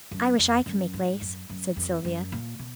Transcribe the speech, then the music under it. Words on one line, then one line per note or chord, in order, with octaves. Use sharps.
"I wish I could make lace," said Sylvia.
F#2
F2
F#2
G#2
F#2
F#2
F2
F#2
A#2
B2